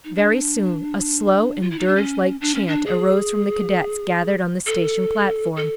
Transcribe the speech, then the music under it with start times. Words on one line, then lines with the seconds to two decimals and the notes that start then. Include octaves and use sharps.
Very soon a slow and dirge-like chant arose from the cadets gathered on the station platform.
0.04 D#4
0.16 D4
1.62 F4
1.71 E4
1.79 D#4
1.87 D4
1.96 C#4
2.41 D4
2.54 C#4
2.67 D4
2.86 G#4
4.66 A4
5.56 A4